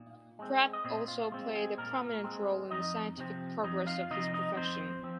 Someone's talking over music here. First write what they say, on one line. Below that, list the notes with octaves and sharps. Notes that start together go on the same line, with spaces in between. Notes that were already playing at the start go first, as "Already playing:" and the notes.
Pratt also played a prominent role in the scientific progress of his profession.
Already playing: A#2 D#4
G#3 C4
D#5
A#2 C4 C5
F4
G#3 C4 F4
G#3 G#4
A#2 A#3 A#4
G#3 C4
F2 D#4 D#5
C3 F3 C4
F2 D#4 D#5
F4 F5
C3 F3 C4 D#4 D#5
D#4 D#5
F2 C4 C5
F3 C4